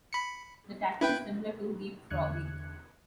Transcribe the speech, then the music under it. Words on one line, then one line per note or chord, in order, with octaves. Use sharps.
The tactic is similar to leapfrogging.
B5 C#7
E4 B4 G5
E2 D3 F#6 G#6 C#7